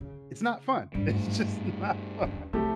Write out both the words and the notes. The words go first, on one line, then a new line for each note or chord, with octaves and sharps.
it's not fun! It's just not fun.
C#3
G#2 G3 D4
G2 A3
D#2 C#4
C2 F3 A3 G4